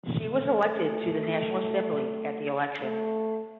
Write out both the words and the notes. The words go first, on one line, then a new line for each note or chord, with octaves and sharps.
She was elected to the National Assembly at the election.
A3
A3